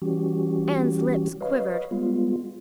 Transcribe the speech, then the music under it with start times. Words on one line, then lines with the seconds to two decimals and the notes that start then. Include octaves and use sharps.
Anne's lips quivered.
0.02 E3 G3 C#4 F#4 G4
1.41 B4 C#5 D#5 F5
1.91 G3 G#3 B3 F4